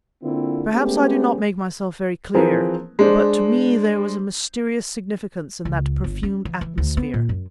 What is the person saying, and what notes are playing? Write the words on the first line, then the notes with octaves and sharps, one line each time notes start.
Perhaps I do not make myself very clear, but to me there was a mysterious significance in that perfumed atmosphere.
D3 A#3 C4 E4 F4
G#3 A3 B3 C#4 G4
E3 F3 C4 G#4 A#4 B4
G#3 D4 C5
C#2
G1
C#4
E3
E3
D2
B3
A#2
F#2